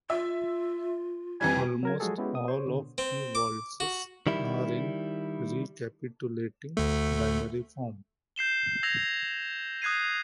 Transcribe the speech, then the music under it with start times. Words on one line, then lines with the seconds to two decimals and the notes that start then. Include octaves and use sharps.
Almost all of the waltzes are in a recapitulating binary form.
0.10 F4 E5
1.41 F2 E3 G3 G#5
1.83 F#3 A#4 G#6
2.00 F3 F#3 G#3 F#4 G#4 A4
2.18 G#3 B3 C#4 E4 F#4 G4
2.35 D#6
2.48 C5 C#5
2.66 B2 D3
2.98 C4
3.35 D6
3.80 F#4
4.27 D#3 G3 E4
6.77 D2 A3
8.36 G6 C7 E7 G7
8.83 E6 G#6 A#6 F7
9.82 D#6 F#6 G#6 C7 D#7